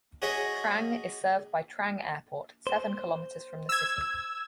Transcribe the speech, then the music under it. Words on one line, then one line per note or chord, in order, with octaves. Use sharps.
Trang is served by Trang Airport, seven kilometers from the city.
F#4 G#4 C#5 D#5 E5 G#5
C5
E6 G#6